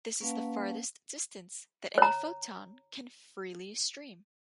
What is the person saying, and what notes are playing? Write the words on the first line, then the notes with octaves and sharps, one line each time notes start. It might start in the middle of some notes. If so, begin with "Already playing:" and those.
This is the farthest distance that any photon can freely stream.
A#3 C#4 B4 F5 F#5 A5
C#5 A#5